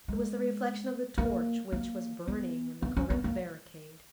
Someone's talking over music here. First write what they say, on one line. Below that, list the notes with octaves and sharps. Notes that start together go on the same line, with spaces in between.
It was the reflection of the torch which was burning in the Corinthe barricade.
G#3
A#3
A#3
B3
B3
C#4
B3
A#3